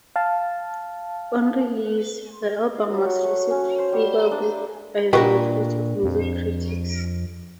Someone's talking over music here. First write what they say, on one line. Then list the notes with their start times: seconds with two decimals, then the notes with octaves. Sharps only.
On release, the album was received favourably by the majority of music critics.
0.16 F5 A5
2.76 F5
2.90 F#3
3.05 F#4
3.23 A3
3.50 C#4
3.78 C5
3.93 G3
4.18 A#3
4.31 D4
5.13 A#2 D4 F#4 G4 A#4 B4 D#5
6.03 F2